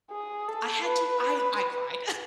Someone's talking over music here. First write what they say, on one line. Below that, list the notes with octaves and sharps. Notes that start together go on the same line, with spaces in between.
I had to I I cried.
G#4
A4
B4